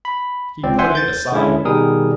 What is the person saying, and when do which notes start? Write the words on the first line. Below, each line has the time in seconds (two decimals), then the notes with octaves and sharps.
He put it aside.
0.05 B5
0.64 C#2 C4 D5
0.79 C5 E5 F#5 G#5 C6
0.95 G6 A6
1.32 D3 G#3 C#4 E4
1.65 B2 D#3 G3 G#4 A#4 D#6